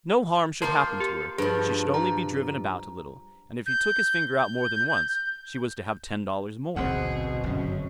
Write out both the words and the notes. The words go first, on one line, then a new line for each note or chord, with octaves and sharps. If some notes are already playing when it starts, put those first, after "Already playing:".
No harm should happen to her; she should only be driven about a little; and if he took his finger out more than once, she was to have ten dollars more.
A#3 F4 A#4 C5 A5
G4
G2 F3 G#4
A#5
G6
G6
D1 A1 E2 B2 C4 G#4 F#5
G1 F#2 C#3 C#4